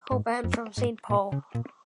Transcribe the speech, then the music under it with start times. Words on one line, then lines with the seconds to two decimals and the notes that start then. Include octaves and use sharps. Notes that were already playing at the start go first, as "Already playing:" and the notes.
Hoban from Saint Paul.
0.12 G#2
0.44 F2
0.78 G#2
1.10 A#2
1.32 C#3
1.55 A#2